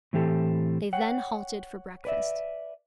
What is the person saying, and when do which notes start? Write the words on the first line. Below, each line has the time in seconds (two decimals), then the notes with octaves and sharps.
They then halted for breakfast.
0.13 A2 E3 C4 G4 A4
0.93 C#5 F#5 G5
2.05 B4 D5 E5